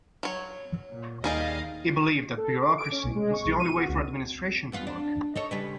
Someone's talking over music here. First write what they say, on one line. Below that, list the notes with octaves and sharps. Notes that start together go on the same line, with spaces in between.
He believed that bureaucracy was the only way for administration to work.
F#3 C#5
A#2
D#2 G3 D#4 G#4 D5 D#5 F5
A4
D6
D7
C#4
B1
G#3
C#6
B1
D#7
F#4
C#2
E2 B3 F4
D4
D#4 A4 C#5
C#3 G3 B4